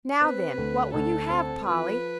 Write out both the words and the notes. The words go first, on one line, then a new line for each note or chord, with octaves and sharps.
"Now, then, what will you have, Polly?"
C4 B4
D2
D2 A4
C4
F3 B4